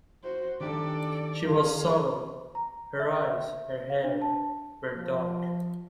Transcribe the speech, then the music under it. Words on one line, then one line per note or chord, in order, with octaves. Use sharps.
She was sallow; her eyes, her hair, were dark.
F#4 C5
D#3 D4 G4 A4 D5
G#4 F5
A#5
E5
F5
D4
A5
F3